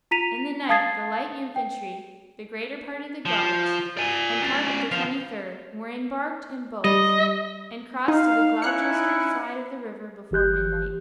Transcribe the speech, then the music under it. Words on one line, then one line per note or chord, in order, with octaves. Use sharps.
In the night the light infantry, the greater part of the guards, and part of the Twenty-third were embarked in boats and crossed to the Gloucester side of the river before midnight.
F4 A#5 B6 D#7 F7
F5 A5 D#6 G#6 A6 C7
G5
F3
D5 G#5
C#4 D5
F3 F5
G3 D#5
D#4 F5
C#4 D#4 E4 F#6 C#7
G1 E3 G4 F#6 G6